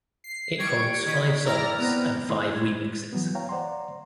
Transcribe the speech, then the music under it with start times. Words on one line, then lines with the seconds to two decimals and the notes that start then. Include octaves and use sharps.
It holds five songs and five remixes.
0.24 C7
0.59 G3 C#6 G#6 D7
1.06 D#3 B6
1.46 E4 D5 G5 A#5 F6 A#6
1.78 B3 C4 A#5
2.29 D#3 A3 E4 B5 C6 D6
2.55 A2 G#3 G#6
3.13 E3 F#3 G3 B3
3.35 C#5 F5 G5 A#5
3.49 C5 D5 F#5 A#5 C6